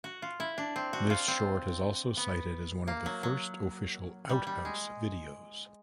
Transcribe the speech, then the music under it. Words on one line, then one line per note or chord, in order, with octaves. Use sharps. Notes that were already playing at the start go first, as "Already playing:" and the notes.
This short is also cited as one of the first official "Outhouse" videos.
F#4
F4
E4
D4
C4
F#4
F4
C4
B3
A#3
F#3
F#3
G3
G3
G#3